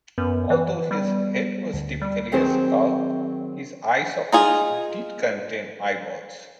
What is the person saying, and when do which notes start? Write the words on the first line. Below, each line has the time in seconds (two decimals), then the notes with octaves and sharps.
Although his head was typically a skull, his eye sockets did contain eyeballs.
0.18 F#2 B3
0.50 E3
0.91 G3
1.73 D2
2.02 G3
2.32 D#3 F#3 C4 G#4 C5
4.32 D#4 F4 G#4